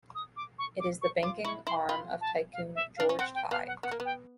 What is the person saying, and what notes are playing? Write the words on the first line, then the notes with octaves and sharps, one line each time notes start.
It is the banking arm of tycoon George Ty.
D#6
D6
C#6
D6
C#6
F4 D6
E4 C#6
E4 C6
F4 B5
A5
F5
E5
F5
D4
C#4
C4 F#5
G5
B3 F5
F#5
B3 F#5
A#3
B3
G5